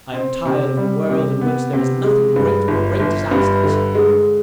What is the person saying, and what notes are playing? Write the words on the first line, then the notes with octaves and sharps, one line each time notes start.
I am tired of a world in which there is nothing great but great disasters.
C4
C3
G3
C3
B3
C3
G#3
G2
G1
G1
G2
D3
G#3